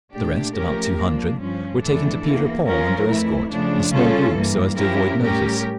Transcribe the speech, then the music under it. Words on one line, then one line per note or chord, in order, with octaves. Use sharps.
The rest, about two hundred, were taken to Peter-Paul under escort, in small groups so as to avoid notice.
A#2 A3 D4 G4
F3 A3 C#4 G4 A#4
F3 A#3 D4
G2 F3 C#4
F2 E3 A3 D4 A4
E2 E3 A#3
F3 C#4 F4 A#4
F2 E3 A3 E4
C#3 F3 A3 D4
C#3 G3 C#4 F4 A4
G2 E3 G3 A#3
F3 C#4 E4 G4 A#4
A2 G3 C#4 G4 A#4